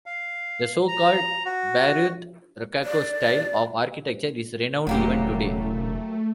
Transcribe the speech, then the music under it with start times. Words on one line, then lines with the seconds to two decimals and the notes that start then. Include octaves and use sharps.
The so-called "Bayreuth Rococo" style of architecture is renowned even today.
0.06 F5
0.88 A#5
1.45 F#4
2.84 D5
4.87 E1 A2 C#3 F#3 A3 A#3 G4